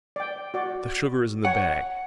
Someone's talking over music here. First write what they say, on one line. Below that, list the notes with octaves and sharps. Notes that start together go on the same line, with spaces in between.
The sugar is in the bag.
D5 G5
F#4 D5
C#5 F#5